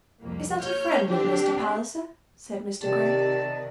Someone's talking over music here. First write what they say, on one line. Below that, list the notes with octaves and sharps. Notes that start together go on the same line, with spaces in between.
"Is that a friend of Mr. Palliser?" said Mr. Grey.
C2 F2 A#3
D#2 C#5 F6 G6
D3 C4 D4 G4
C3 D#3 G4 D5 A5